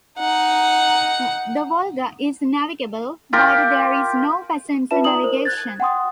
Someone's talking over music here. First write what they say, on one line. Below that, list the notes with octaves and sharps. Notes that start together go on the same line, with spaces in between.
The Volga is navigable, but there is no passenger navigation.
D#4 F#5
F4 G4 A#4
F4 B4 E5 A5 E7
D#4 D5 A#5 D#6 F#7
A#4 C5
F#6 G#6 A6
F#5 G5 C6 D#6